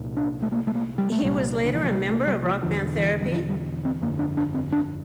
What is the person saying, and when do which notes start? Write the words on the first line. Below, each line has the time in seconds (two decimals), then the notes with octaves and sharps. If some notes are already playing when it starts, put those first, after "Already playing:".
He was later a member of rock band Therapy?
Already playing: C2 A#2
0.17 D4
0.42 A3
0.52 A#3
0.67 A3
0.75 A#3
0.98 G3
1.12 A3
1.22 C2 A#2 G3
1.65 D3
1.74 E3
1.83 F3
1.91 G3
2.10 A3
2.27 G3
2.44 F3
2.62 E1 E2 D3 F3
2.97 E3
3.21 G3
3.32 F3
3.49 G3
3.85 C4
4.02 G1 F2 D3 A#3
4.19 D4
4.37 D4
4.54 C4
4.72 D4